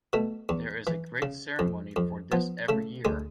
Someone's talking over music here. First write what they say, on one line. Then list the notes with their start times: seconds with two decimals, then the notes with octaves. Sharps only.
There is a great ceremony for this every year.
0.13 B2 A3
0.49 E2
0.87 E3
1.22 C#3
1.59 F2
1.96 F2
2.32 F3 B3
2.69 C#3 A3
3.05 D2 G#3